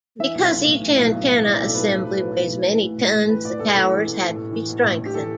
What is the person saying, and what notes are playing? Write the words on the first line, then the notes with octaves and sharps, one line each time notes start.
Because each antenna assembly weighs many tons, the towers had to be strengthened.
E3 E5
B1
B1
A2
E3
B1
B1
A2
E3 D5
B1 A4
A4
B1 B4
A2 B4
E3 B4
B1
B1
A2
E3
A1
A1
A2
E3 B4
A1 D5
A1 A4
A2 A4
E3
A1
A1
A2
E3
A1
A1
A2
G4
E3 A4